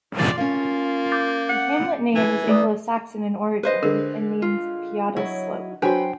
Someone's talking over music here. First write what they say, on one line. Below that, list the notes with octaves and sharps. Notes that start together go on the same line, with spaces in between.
The hamlet name is Anglo Saxon in origin, and means 'Peada's slope'.
F4 D5 A6
A#3 C#4 F5
D6 G6 A6
F#5
E3 G#5
A3 D5 D#6
B4 C5 D#5
D3 G#3 A#4
F4
F#3 E4 C#5 D#5
F#3 D4 F#4 B4 C5 G5